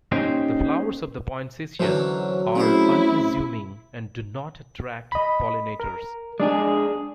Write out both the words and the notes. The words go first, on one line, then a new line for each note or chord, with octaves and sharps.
The flowers of the poinsettia are unassuming and do not attract pollinators.
A#3 C#4 D#4 G4 C5
D3 E3 F#3 C#4 C5
A3 C4 C#4 E4 G#4 C5
D#5 B5
A#4
G#3 D4 G#4 D5